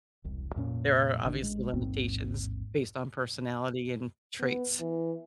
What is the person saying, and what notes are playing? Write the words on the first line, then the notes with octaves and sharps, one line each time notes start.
there are obviously limitations based on personality and traits.
E1 C2
F2 A#2 C#4
G#1 G#2 D3 D4
A1 G#3
A1 D#2 G#2 C4
B3
E3